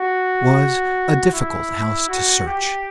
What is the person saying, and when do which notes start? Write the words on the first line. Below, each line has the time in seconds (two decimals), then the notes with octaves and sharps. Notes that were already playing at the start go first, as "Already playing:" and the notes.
It was a difficult house to search.
Already playing: F#4
1.33 E4
2.08 F#4
2.46 G4